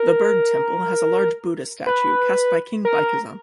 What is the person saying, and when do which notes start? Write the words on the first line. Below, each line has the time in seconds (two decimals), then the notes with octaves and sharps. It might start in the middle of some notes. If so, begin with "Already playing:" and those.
The bird temple has a large Buddha statue cast by King Baikezan.
Already playing: A#4
1.87 B4
2.85 A#4